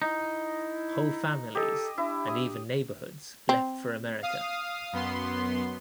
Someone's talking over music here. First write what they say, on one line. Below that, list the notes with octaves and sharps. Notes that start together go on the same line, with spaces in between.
Whole families and even neighborhoods left for America.
D#4 E4
G4 A4 D#5
D4 E4
D#6
C4
F5 D#6
F#2 B3 C6